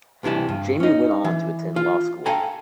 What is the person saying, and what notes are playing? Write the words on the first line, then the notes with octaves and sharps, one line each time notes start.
Jamie went on to attend law school.
C#2 C3 E3 G3 A5
G2
C#4 D#4
E3
F4
A4 F5 G5 G#5 A#5